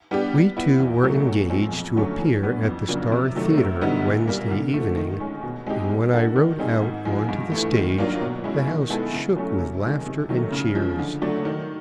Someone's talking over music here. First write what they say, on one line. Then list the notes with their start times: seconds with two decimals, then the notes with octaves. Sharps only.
We two were engaged to appear at the Star Theatre Wednesday evening, and when I rode out on to the stage the house shook with laughter and cheers.
0.11 G3 B3 D4 G4
0.34 G3
0.57 B3 E4
0.80 E2
1.03 B2 F#3 A3
1.26 A#2
1.50 F3 G#3 C4
1.73 F2
1.96 D3 F#3 A3 C#4
2.19 E3
2.42 G3 B3 D4
2.65 F2
2.89 C#3 F#3 A#3 D4
3.12 C3
3.35 D#3 F#3 A3
3.58 F#2
3.81 D3 G3 B3 D#4
4.05 A#2
4.28 G3 A#3
4.51 D3
4.74 F3 A3
4.96 D#3
5.20 G#3 C#4
5.43 B2
5.66 G#3 C4 D#4 G4
5.89 G3
6.13 A#3 D4 F#4 A4
6.36 D#3
6.59 G3 C4 D#4 G#4
6.82 G#2
7.05 F3 G#3
7.28 G2
7.52 E3 A3
7.75 D#3
7.98 F#3 A#3 D4 F4
8.21 B2
8.44 G#3 C#4 E4
8.67 D#3
8.90 G#3 B3 E4 A4
9.13 C#3
9.36 F#3 A3 C#4
9.60 C3
9.83 D#3 G#3
10.06 C3
10.29 D#3 F#3 A3
10.52 C#3
10.75 F3 G#3
10.99 D3
11.22 F#3 A3 D4
11.45 D#3